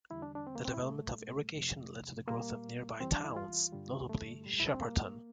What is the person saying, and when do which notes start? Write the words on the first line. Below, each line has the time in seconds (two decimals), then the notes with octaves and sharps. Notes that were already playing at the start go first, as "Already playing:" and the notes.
The development of irrigation led to the growth of nearby towns, notably Shepparton.
0.10 E2 D3 G3 E4
0.22 D4
0.35 D4
0.47 C4
0.55 A#3
0.65 C4
0.74 E4
0.83 A#2 G3 A3
1.56 F2 C3 F3
2.28 A#2 G3 A#3
3.00 E2 E3 G3 C4
3.12 D4
3.24 E4
3.36 F4
3.73 G2 D3 G3
4.09 A3
4.45 A#2 G3
4.60 E4
4.67 D4
4.74 C4
4.81 A#3